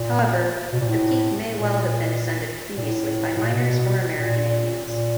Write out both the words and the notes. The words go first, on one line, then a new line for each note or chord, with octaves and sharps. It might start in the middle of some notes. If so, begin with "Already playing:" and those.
However, the peak may well have been ascended previously by miners or American Indians.
Already playing: A#2
B2
A#2
A2
A#2
A#2
A2
A2
A#2
B2
A#2
A#2